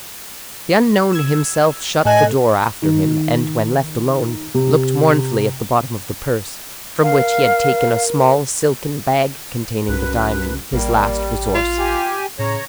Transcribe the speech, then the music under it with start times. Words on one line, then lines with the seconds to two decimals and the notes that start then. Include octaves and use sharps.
The unknown himself shut the door after him, and, when left alone, looked mournfully at the bottom of the purse, from which he had taken a small silken bag containing the diamond, his last resource.
1.13 E6 G#6
2.05 A2 A4 D#5 G#5 F#6
2.82 D#3
4.55 C3
7.03 A#4 F5
9.88 C2 F#2 B4
10.73 A1 G3 A#3
11.55 F4
11.79 G4 G#5
12.39 A2 C#3 C#5 A#5